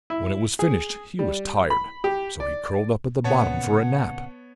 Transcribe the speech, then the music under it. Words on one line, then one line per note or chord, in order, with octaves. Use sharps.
When it was finished, he was tired, so he curled up at the bottom for a nap.
E4
G#4
G3
B5
G4
D5
A#2 C#3 B3 C#5 F#5 A5